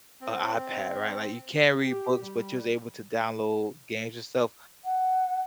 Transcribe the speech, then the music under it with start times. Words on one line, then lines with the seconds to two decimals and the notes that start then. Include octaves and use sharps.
a iPad, right, like, you can't read books, but you was able to download games and stuff,
0.21 C4
1.81 G4
2.21 G3
4.85 F#5